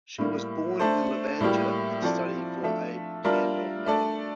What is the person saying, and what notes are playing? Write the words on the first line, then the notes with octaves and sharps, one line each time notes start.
She was born in Levanger, and studied for a cand.mag.
A2 G3 A#3
A3 D4 A4 C5
A2 G3 A#3 E4 G4
F3 C4 E4 A4 D5
F3 A3 D4 A4 E5
G3 D4 F4 A#4 E5
A3 D4 A4 D5